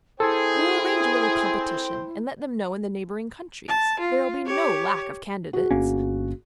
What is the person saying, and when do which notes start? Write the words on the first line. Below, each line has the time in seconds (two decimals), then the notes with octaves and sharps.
We'll arrange a little competition, and let them know in the neighbouring countries; there'll be no lack of candidates.
0.20 E4 G#4 A4 C5 G5
3.69 A5
4.00 F4
4.46 G4 C#5
5.53 F#4 G#4
5.71 G1 A#3 C#4